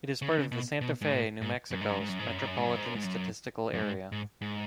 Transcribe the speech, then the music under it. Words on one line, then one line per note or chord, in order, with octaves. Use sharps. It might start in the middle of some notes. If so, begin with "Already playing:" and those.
It is part of the Santa Fe, New Mexico Metropolitan Statistical Area.
C#3
D#3
C#3
B2
B2
G#2
A2
G#2
F#2
G#2
F#2
G#2
F#2
G#2
F#2
G#2
F#2
G#2
F#2
G#2
F#2
G#2
F#2
F#2
G#2
G#2
G#2